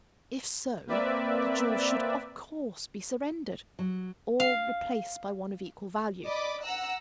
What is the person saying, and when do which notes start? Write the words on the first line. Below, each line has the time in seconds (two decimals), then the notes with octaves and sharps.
If so, the jewel should, of course, be surrendered,--or replaced by one of equal value.
0.87 A#3 C4 B4 D5 E5
3.79 F#3
4.40 F5
6.25 D5 D#5 B5 D6
6.64 F#5 A#5 E6 F#6